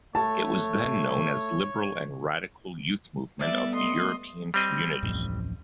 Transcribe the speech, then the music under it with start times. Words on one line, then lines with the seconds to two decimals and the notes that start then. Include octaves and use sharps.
It was then known as Liberal and Radical Youth Movement of the European Communities.
0.15 A3 C#5 A5
3.40 G3 A3 B3 D5 E5
3.74 D#5 C6
4.54 G3 C4 D#5
5.03 D1 A1 F2